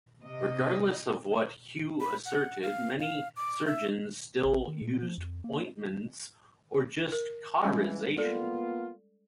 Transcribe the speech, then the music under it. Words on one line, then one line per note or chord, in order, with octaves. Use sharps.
Regardless of what Hugh asserted, many surgeons still used ointments, or just cauterisation.
C3 D#5
B5
F#5
F5
F5
D6
E5
A1
D#3
A#2
F3
F2
A#3
A#4
C#2 E3 G3 G#3 C#4
A#3 B3 F4 A4 D5